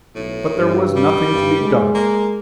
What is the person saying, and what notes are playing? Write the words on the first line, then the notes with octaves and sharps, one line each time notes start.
But there was nothing to be done.
B1 A2
G2
G3
G2
G#3
A#3